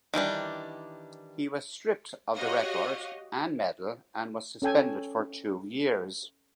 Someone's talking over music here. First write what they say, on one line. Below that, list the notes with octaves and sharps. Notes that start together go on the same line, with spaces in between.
He was stripped of the record and medal and was suspended for two years.
D#3 E3 G3 D4
F#4 G4 C#5 D#5 F5
C#4 A4 G5 G#5